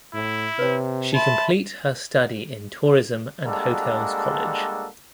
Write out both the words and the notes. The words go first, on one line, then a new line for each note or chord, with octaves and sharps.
She complete her study in Tourism and Hotels college.
A2 E4
C3 B4 C#5
E5 A5 B5 C6
G3 G#3 A#3 D4 F#4 A4